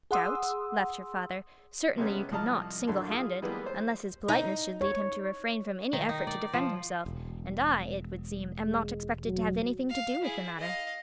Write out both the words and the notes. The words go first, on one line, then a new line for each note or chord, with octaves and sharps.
"Doubt?" laughed her father, "certainly you could not, single-handed; unless his politeness should lead him to refrain from any effort to defend himself; and I, it would seem, am not expected to have anything to do with the matter."
G#4 F#5 C6 D#6 E6
C3 G3 G#3 B3 C#4
C2 F3 D#5 A5 A#5 F6
A#1 D3 E4 A4 C6
F4 G#4 D#6
E3 G3 G#3 A#3 B3 B4
C5
D#4
C#5
D#3
D#4
D5
F3
E1
G#3
F#3
F5
E4 G#4
D#5 F5